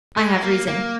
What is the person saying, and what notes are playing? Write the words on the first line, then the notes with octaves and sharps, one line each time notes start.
I have reason.'
G#3
G#3
A#3
A#3